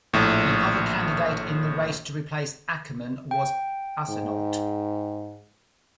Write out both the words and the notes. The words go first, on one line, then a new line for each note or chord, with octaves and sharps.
The other candidate in the race to replace Akerman was Arsenault.
A#1 A2
G5
G#2